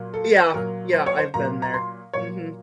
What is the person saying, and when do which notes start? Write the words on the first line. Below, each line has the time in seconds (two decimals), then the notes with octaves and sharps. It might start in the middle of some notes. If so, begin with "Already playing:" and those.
Yeah, yeah, I've been there. Mhm.
Already playing: A#2 F#3 A#3
0.14 A4
0.54 A#2 F#3 A#3 A#4
0.93 C5
1.06 C#5
1.19 C5
1.34 A#2 F#3 A#3 A#5
1.62 A#5
1.74 C6
2.13 A#2 F#3 A#3 C#5